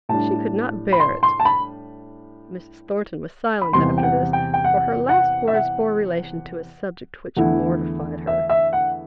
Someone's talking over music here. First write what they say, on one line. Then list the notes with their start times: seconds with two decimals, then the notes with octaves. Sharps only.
She could not bear it.' Mrs. Thornton was silent after this; for her last words bore relation to a subject which mortified her.
0.09 A2 G3 D4 A5
0.93 B5
1.00 C6
1.23 C6
1.40 A5
1.45 B5
3.61 B5
3.72 E2 C3 G3 C6
3.97 G5
4.03 F#5
4.33 G5
4.54 G5
4.64 F#5
5.09 F#5
5.48 E5
5.54 F#5
7.37 E2 D3 A3 E4 F#5
8.27 E5
8.49 E5
8.73 F#5